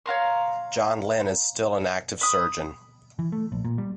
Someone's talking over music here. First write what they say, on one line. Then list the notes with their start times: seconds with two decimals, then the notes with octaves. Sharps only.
John Lynn is still an active surgeon.
0.06 C#5 F5 A#5 C6
2.21 B5 D#6
3.19 E3
3.32 A3
3.52 A#1
3.65 A#2
3.78 G3